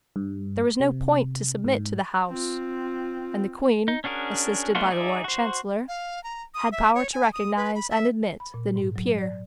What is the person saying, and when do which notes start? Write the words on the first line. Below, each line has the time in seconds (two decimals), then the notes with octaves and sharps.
There was no point to submit to the House, and the Queen, assisted by the Lord Chancellor, had power to recognize and admit the new peer.
0.16 G2
0.80 C3
1.64 G#2
2.29 C4 F4
3.88 D#4
4.04 C#4 D4 F#4 G#4 A#4
4.75 A3 B3 D4 F4 F#4
4.91 D#4 G#4 D5 E5
5.24 F#4 C5
5.88 F5
6.24 A#5
6.54 D#6
6.72 E5
6.95 C#5
7.13 G#5
7.33 D#6
7.57 B4
7.75 B5
7.90 E5
8.40 B5
8.54 A#2
8.76 G#2
8.96 F#3
9.19 D5